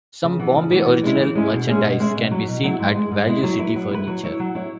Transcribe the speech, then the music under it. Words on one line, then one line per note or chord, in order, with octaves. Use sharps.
Some Bombay Original merchandise can be seen at Value City Furniture.
C#3
E3 B3
C#3
E3 B3
E3
G#3 C#4 E4
E3
G#3 C#4 E4
B2
G#3 C#4 G#4 E5
B2
G#3 C#4 G#4 E5
B2
F#3 E4
B2
F#3 E4
G#2
G#3 E4
G#2
G#3 E4
F#3
E4 B4
F#3
E4 B4
F#3
E4 C#5
F#3
E4 C#5